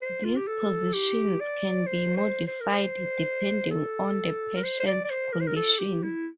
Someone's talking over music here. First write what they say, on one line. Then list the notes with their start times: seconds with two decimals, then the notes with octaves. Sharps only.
These positions can be modified depending on the patient's condition.
0.02 C5
0.24 F4
0.36 G4
0.47 A4
0.94 G4
1.40 D5
1.86 C5
2.17 C5
2.47 C5
2.61 A#4
2.73 C5
3.71 A4
4.56 A#4
4.63 C5
4.80 C5
4.87 D5
5.04 D5
5.10 C5
5.33 A#4
5.40 C5
5.47 A#4
5.56 A4
5.79 G4
6.03 E4